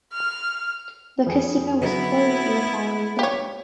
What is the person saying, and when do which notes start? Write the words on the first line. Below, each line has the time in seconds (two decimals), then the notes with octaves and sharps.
The casino was closed on the following day.
0.13 F6
1.26 F2 G#4 G5
1.81 D3 F#3 B3 E4
2.64 B5
3.19 G4 C#5